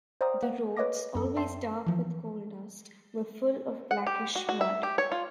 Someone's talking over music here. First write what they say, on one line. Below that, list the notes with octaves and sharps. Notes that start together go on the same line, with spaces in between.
The roads, always dark with coal-dust, were full of blackish mud.
C5 D5 F5 G5 A#5 D#6
A#3 F#5
B4 C#5 D#5 F5 D6 A#6
F#2 A4
E5 G5 A5 C6 C7
E3 F3
F#5
G4
F#4
F#4
E5
G4
C#5
F4